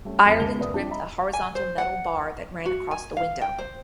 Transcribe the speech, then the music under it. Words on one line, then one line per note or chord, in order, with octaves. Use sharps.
Ireland gripped a horizontal metal bar that ran across the window.
G3 A3 C#4
F2
C#2 C#3 G#3 A5 F7 G7
F#1 B3 B4 D5 E5 D#6
F3 G3 C4 D4 E4
D#5 E5 A#5 B5
G#5
C5
F#5
F#4
G#5
F5
G5
C5